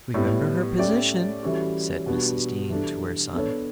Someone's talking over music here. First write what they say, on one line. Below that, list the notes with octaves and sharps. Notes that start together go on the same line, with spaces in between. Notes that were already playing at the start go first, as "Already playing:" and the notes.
"Remember her position," said Mrs. Dean to her son.
A2 G3 B3
A3 C#4 G4 D5
E3 G3 C#4 F#4 A4
B2 G3 B3 D4 F#4
E3 G3 D4 A4
B3 D4 A4 C#5